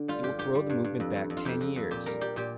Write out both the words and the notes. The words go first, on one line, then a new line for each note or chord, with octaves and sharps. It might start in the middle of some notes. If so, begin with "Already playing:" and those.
It will throw the movement back ten years....
Already playing: D3 D4
G3 F4
G2 G4
G2 G4
G3
G2
G2
F2
F2
F2
F4
F2 G4
F2
F2
A#2 G4
G3 A#4
G3 G4
A#2 G4